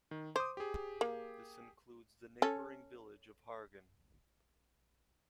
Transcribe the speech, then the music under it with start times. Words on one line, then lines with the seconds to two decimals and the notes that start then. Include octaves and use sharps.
This includes the neighbouring village of Hargen.
0.11 D#3
0.36 C5 D6 D#6
0.57 G4 G#4
1.01 A#3
2.42 C#4 A4